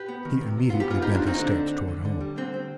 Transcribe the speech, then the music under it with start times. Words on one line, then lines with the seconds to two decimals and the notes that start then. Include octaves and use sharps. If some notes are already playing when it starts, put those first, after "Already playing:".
He immediately bent his steps toward home.
Already playing: G4 B4
0.08 B3
0.25 D#3
0.41 C3
0.58 C3
0.70 B3 F4
0.80 G4
0.90 B3 F4 G#4
1.02 D#3 D#4 G4
1.14 D4 F4
1.23 D#3 C4 D#4
1.39 D3 D4
1.56 C4
1.72 D3
1.88 D3
2.05 D3
2.21 G3
2.37 D3 C4
2.54 C4